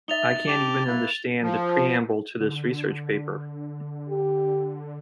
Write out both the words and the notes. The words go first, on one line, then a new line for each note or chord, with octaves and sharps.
I can’t even understand the preamble to this research paper.
D#4 E5 A6 F7 G7
G4 A5 D6
A#3 E4 B4
F3
D3
G4